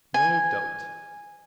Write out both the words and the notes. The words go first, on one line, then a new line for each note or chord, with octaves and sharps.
No doubt.
G#5